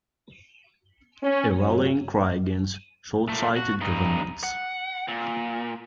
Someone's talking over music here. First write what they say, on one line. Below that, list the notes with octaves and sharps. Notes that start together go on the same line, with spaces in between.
A rallying cry against shortsighted governments.
C#4
F#3
A#2 A3
F#4
G2 D#4
F#5
A#2